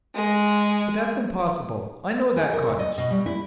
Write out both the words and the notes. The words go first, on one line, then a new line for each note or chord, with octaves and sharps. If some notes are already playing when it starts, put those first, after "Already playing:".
But that's impossible--I know that cottage.
G#3
G#4
A#4
D2
D#5
B2
G3
E4